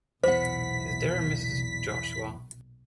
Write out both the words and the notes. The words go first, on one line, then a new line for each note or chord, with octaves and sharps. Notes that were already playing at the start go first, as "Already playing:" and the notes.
Is there a Mrs. Joshua?
B1 E2 A#2 C5 F#5 B6